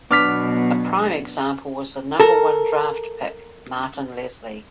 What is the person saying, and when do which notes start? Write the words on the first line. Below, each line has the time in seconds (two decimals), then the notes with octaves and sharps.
A prime example was the number one draft pick, Martin Leslie.
0.11 B2 F#3 B3 D4 D6 F6 B6
2.20 A4 A#4